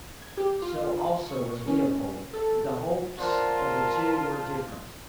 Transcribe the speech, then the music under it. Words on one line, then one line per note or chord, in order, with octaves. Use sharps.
So also was Leopold, but the hopes of the two were different.
G#6
G4
F4
C#6
C#4
A4
D4 F4 A#4 C5 F#5 A5